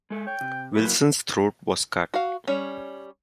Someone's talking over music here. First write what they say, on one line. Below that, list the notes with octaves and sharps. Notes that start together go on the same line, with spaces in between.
Wilson's throat was cut.
G#3 A4
C#5 G5
C3
F#3 A#3 E4 B4
F#4 F5
G3 C#4 C#5